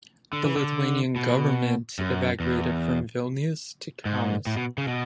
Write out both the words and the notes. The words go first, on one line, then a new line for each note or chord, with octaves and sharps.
The Lithuanian government evacuated from Vilnius to Kaunas.
D3
E3
D3
B2
F#2
E2
G#2
A2
B2
C#3
B2